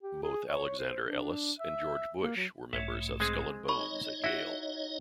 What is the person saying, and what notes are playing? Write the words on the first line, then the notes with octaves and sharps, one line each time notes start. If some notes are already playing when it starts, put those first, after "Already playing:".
Both Alexander Ellis and George Bush were members of Skull and Bones at Yale.
G4
G#4
C#5
C5
D4
E5
A#3
F#3
B1 G#2 A3 C#5 E5
G#3 C4 G#4
D#4 C#5 D#5 B5 C#6
E4 F#4 E5